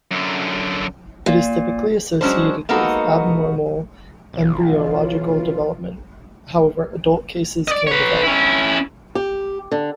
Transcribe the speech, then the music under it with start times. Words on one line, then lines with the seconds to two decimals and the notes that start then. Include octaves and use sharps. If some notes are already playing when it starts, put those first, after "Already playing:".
It is typically associated with abnormal embryological development, however adult cases can develop.
0.11 F#2 D3
1.26 A#2
2.21 F#3 G#3 A#3 C#4 D4 C5
2.69 G#3 A#3 B3 D#4 F#4 A4
4.33 B1 E3 F4
7.68 D5 D#5
7.87 B4 C#5
8.23 C#4 E4
9.15 G4
9.72 D3